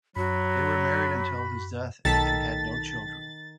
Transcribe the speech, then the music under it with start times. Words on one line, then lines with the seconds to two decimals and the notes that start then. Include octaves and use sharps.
They were married until his death and had no children.
0.16 F#2 F#3 F#4 B5
2.05 B1 D#3 A4 A5 A6 B6